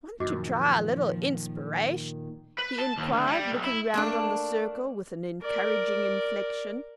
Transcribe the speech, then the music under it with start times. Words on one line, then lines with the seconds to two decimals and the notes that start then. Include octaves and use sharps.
"Want to try a little inspiration?" he inquired, looking round on the circle with an encouraging inflexion.
0.20 F#2 A#2 D#3 F3 F#4 D#5 D6
2.58 B4
2.78 A5
2.98 D#2
3.12 D2
3.27 G3
3.51 B1
3.64 E4
3.94 A3 A#3 D4
5.42 A#4 D5